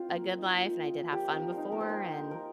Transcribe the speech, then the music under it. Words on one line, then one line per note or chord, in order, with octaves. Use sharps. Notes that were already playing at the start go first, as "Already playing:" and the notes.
a good life, and I did have fun before. And
Already playing: C4 F4
A#3
F3
D#4
A#3
F4
F4
A#3
F3 G4
C4 A#4
F3
D#4 F5
A#3 A#4
C5
D#4 A#4
D#4
A#3
F3 A#4